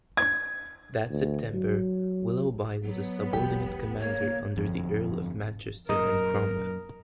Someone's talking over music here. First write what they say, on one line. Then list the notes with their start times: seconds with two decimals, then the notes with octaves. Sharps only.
That September, Willoughby was a subordinate commander under the Earl of Manchester and Cromwell.
0.17 G#6
1.10 D2
1.54 F#3
2.84 F#3 B3
3.33 E1 B1 E2 G4
4.00 A#3 C#5
4.56 G1 F2
5.89 F#2 A#2 F#3 D#4 A#4